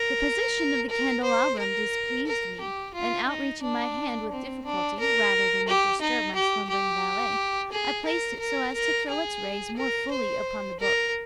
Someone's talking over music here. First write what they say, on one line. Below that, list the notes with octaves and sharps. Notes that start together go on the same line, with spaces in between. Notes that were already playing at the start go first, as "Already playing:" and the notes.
The position of the candelabrum displeased me, and outreaching my hand with difficulty, rather than disturb my slumbering valet, I placed it so as to throw its rays more fully upon the book.
Already playing: A#4
A#4
C5
A#4
A#4
G4
F4
D#4
D4
C4
D4
A#4
G4
D#4
G4
G4
G#4
A#4
A#4
A#4
G#4
A#4
C5
A#4